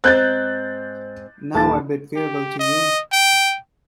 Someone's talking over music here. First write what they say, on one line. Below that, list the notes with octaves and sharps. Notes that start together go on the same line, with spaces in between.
Now I bid farewell to you.
G#2 C4 C5 F#6 G6 A6
D#1 D#3 A5 A6
G4
D#5
G5